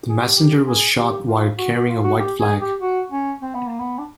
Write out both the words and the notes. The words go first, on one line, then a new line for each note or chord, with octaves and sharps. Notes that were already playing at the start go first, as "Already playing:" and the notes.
The messenger was shot while carrying a white flag.
G#4
G4
G4
G#4
G4
F4
F#4
F#4
F4
F#4
G4
G#4
G4
F#4
C#4
C4
B3
A#3
B3
D4